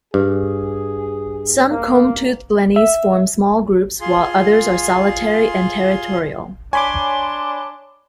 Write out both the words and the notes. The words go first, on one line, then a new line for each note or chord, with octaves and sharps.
Some combtooth blennies form small groups, while others are solitary and territorial.
G2 G#4
A#3
E5
F4 G#4 C6
D4 C#5 G#5 B5 C6 D6